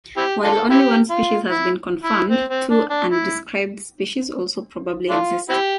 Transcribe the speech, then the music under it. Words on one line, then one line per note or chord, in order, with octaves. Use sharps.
While only one species has been confirmed, two undescribed species also probably exist.
C4 E4 G4
D4 F4 A4
C4 E4 G4
F4
E4
E4
C4
C4
D4
D4
E4
A3 D4 F4
C4 E4 G4